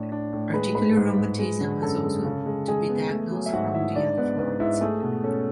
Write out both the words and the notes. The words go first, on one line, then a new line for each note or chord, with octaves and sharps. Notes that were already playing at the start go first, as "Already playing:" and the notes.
Articular rheumatism has also to be diagnosed from the other forms.
Already playing: A2 D4
D4
A2
G#3 B4 B5
G#2 B4 B5
G#2
G#2
G#3
D3
F#2 A4 A5
G#3
C#3
G#3
G#3 G#4 G#5
B3
A3
F#3
E5
G#2 F#4 F#5
E4 E5
G#2 D4 D5
G#2 B3 B4
G#2 B3 B4
G#2 E4 E5
A3 G#4
B2 G#4
C#4 A4